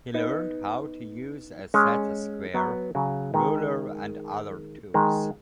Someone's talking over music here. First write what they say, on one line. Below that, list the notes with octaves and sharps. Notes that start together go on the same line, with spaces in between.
He learned how to use a set square, ruler and other tools.
B3 D#4
G#3 C#4
F#3 B3
C#3 F#3
D#3 G#3
D#3 G#3